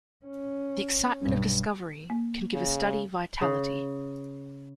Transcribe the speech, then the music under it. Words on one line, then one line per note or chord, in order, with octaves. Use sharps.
The excitement of discovery can give a study vitality.
C#4
B1 G2
A#3
C#3
C#3